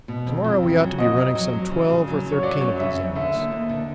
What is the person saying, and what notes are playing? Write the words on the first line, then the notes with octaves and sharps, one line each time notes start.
To-morrow we ought to be running some twelve or thirteen of these animals.
B2
F2
F2
C#3
F#3
F2 D#5
F2
F#3
F#3
C#3
C#3
F#3
F#2
C#5
F#3 D5
F#2 C#5
C#3 E5
F#2
D3 E5
D#2
D#2
D3